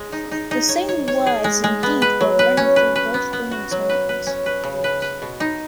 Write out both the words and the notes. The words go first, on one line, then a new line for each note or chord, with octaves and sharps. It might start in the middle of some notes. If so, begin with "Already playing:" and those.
The same words, indeed, were running through both women's minds.
Already playing: G#3
D#4
D#4
D#4
C#5
C#5
C#5
G#4
G#3
G#3
B3
B4
F#3
B4
C#4
B4
B4
B3
B3
F#4
F#3
B4
B4
C#4
B4
C#3
B4
B4
B2
D#4